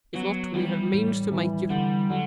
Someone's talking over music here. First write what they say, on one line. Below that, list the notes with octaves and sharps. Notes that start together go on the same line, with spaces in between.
If not, we have means to make you.
F#3 B3
E3 G3
A2
E3
D3 G3
D3 F#3